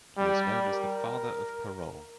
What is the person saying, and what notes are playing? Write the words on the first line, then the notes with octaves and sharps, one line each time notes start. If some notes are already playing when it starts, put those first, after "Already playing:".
He is known as the "Father of Parole".
G3
A#4